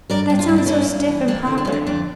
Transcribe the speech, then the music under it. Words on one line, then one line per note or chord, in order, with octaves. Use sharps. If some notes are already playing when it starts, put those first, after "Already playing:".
That sounds so stiff and proper.
G2 A#4 D5
G2
F4
G2 E4
D4
A#3 C#4 E4
G2
E3
A#3 D4
D3
D4
C#4
D3
D4
F2 D4